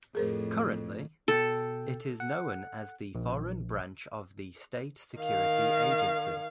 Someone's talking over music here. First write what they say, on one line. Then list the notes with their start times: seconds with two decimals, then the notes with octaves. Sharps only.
Currently, it is known as the Foreign Branch of the State Security Agency.
0.15 F2 A2 G#4 A#4 C5
1.28 B2 A4 G5
2.20 F#5
3.15 A#1
5.18 D#3 F5